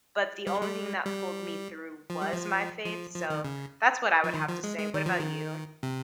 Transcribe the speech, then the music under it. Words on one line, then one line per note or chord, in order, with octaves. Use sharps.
but the only thing that pulled me through was my faith, so, that's what I would have to say. What about you?
G3
G3
G3
F3
G3
F3
F3
F3
D#3
C#3
F3
D#3
F3
G#3
G#3
D#3
F3
D#3
C3